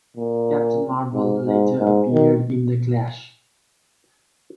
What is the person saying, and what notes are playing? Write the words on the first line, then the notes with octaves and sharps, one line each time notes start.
Captain Marvel later appeared in The Clash.
A#2
G#2
G#2
G#2
D#3